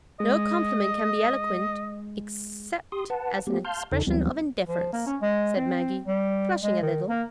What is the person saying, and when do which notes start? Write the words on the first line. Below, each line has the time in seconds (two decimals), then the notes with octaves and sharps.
"No compliment can be eloquent, except as an expression of indifference," said Maggie, flushing a little.
0.20 G#3 D#5
2.92 G4 C6 D#6
3.10 B4 F#5 A5
3.47 A3 B3 G4
3.65 F5 A5 C6 F6 G6
3.92 E2 C#3 D#4 A4
4.07 D2 E3 F#3 G3 B3 C4
4.68 F3
4.93 A#3
5.07 C#4
5.22 G#3
5.57 C4
6.07 G3
6.63 G#3
6.82 D#3
7.08 A#3